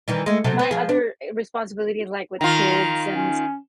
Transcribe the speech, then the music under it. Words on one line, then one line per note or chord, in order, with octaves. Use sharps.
my other e responsibilities, like, with kids and
D#3 E3 G3
G#3 A3
C3 F#3 A4
B3
F3 G#4
D4
D#3 F4 A#5
C#4